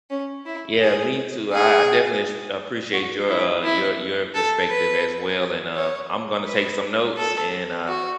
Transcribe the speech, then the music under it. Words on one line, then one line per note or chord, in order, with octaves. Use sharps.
Yeah, me too, I I definitely as appreciate your, uh your your perspective as well, and, uh, I'm gonna take some notes and, uh,
C#4
E4
G#4
G#4
F#4
E4
E4
A4
B4
C#5
B4
A4
F#4